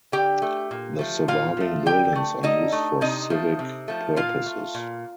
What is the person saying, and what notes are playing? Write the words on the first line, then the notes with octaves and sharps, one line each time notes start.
The surviving buildings are used for civic purposes.
D3 G4 G5
A3
A#2
F3 A3
A#2 F4 F5
F3 A3
D3 G4 G5
A3
D3 D#4 D#5
A3
C3 D#4 D#5
F3 A3
C3
F3 A3
A#2 F4 F5
A3
A#2